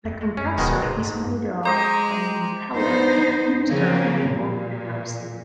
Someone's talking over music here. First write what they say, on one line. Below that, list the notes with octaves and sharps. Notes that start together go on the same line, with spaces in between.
The compressor is made up of an impeller, a diffuser and a volute housing.
F2
G#3
F#2 C#4
D1 B2 D#3 G#3
G#2 C3
G2
G#3 C5 D#5 G5 A#5 D6
B3 D4 D#4 C5
C#3 F3 A#3 C4 C#4
A#2